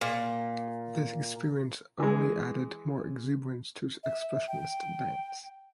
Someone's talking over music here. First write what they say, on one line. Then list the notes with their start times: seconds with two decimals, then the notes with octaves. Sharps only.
This experience only added more exuberance to his expressionist dance.
0.01 A#2
2.00 E3 G#3
4.03 E5
4.48 G5